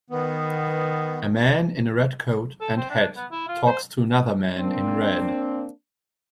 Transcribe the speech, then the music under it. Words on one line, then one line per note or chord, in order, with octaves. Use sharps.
A man in a red coat and hat talks to another man in red.
D#3 B3
A4
C4
D4
B3
E4
F4
C5
A#3 C4 D4